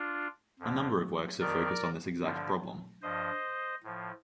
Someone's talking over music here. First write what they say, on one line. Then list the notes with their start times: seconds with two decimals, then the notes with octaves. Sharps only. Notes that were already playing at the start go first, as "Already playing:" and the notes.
A number of works have focused on this exact problem.
Already playing: D4 F4
0.60 F2 D3 F3
1.40 F2 D#3 A#4 D5
2.21 G2 D3 F3
3.02 G2 F3 C5 D#5
3.84 A2 F3